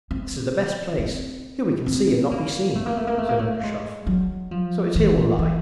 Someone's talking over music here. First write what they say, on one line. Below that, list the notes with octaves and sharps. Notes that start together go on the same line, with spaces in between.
'This is the best place; here we can see and not be seen,' said Ergushov, 'so it's here we'll lie.
C4
C4
C4
A#3
A3
A#3
A3
A#3
A3
A#3
A3
G#3
F#3
F3
E3
E3